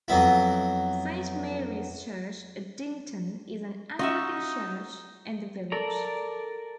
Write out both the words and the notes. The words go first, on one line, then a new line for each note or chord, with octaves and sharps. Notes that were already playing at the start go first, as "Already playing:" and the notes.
Saint Mary's Church, Addington is an Anglican church in the village.
F2 F#3 B3 E4
C#4 D#4 F4 F#4 D#5 E5
A4 A#4 D5 A#5